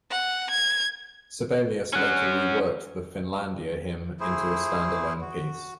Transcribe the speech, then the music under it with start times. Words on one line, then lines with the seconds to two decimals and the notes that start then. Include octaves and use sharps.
Sibelius later reworked the "Finlandia Hymn" into a stand-alone piece.
0.11 F#5
0.51 G#6
1.93 C#4 F#5
4.20 A3 E4 G#4 C5
5.21 F#4